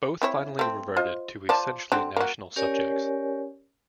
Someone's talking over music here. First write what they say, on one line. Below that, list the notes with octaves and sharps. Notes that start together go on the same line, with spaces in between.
Both finally reverted to essentially national subjects.
C4 E4 C#5
A3 C4
F4 C5 D#5
F3 D5 A5
D3 C4
A#3 F#4
C#4 G4 A#4 C#5 D5 G#5